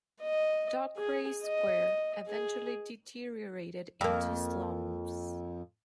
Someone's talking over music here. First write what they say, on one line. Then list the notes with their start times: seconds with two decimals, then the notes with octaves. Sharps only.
Dockwray Square eventually deteriorated into slums.
0.22 D#5
0.98 G#4
1.44 D#5
2.28 G#4
4.01 F2 A#3